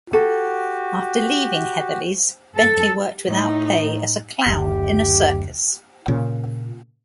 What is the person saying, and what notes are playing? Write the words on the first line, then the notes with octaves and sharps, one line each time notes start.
After leaving Heatherley's, Bentley worked without pay as a clown in a circus.
F#4 G4 A4
A4
A2 D#4
F#1 D2 G4
A#2 C#3